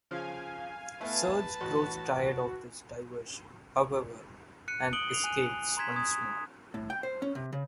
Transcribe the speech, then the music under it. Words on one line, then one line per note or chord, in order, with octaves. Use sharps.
Serge grows tired of this diversion, however, and escapes once more.
C#3 F3 F5 G#5
A3 B3 E4 B4 A5
A1 F#4
F#6 C#7 D#7
D#6 D7 F#7 G7
C7 F7
G#5 F#6 D#7
A#5 C6 F#6 G#6 B6 E7
D#6 G#6
A2
G5
C5
C#4
C3
C#3